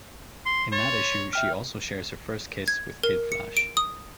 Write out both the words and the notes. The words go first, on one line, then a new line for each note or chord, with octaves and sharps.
In that issue she also shares her first kiss with Kid Flash.
C6
C#5 C6 A6
E5 G5 F6
G#6
A#4
C#7
D7
D#6